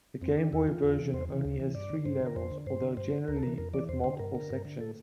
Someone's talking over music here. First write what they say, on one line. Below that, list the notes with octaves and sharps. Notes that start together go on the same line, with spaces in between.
The Game Boy version only has three levels, although generally with multiple sections.
F2 C4
D3 D4
E2 E4
E3 F4
E2
C3 E3
E2 C5
C3 E3
D2
C3 E3
G2 D5
D3
G2 C5
D3
A#4
F2 C5
D3
G2 C5
D3
G2 C5
D3
D2 A#4
A4
C3 E3 A#4
F2 A#4
E3 D5
E2 C5
D3 C5
G2 A#4
D3
G2
D3
A4